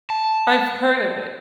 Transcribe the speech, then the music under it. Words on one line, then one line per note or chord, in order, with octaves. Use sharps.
I've heard of it.
A5